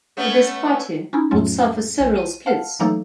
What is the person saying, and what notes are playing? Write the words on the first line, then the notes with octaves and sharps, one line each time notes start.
This party would suffer several splits.
A3 B3 C#4
C#4 D#4 E4
F2 A2 F#3 A3 C#4 F4
B1
D#7
F5 F#5 A5 F6
E3 F#3 A3 A#3 D#4 A4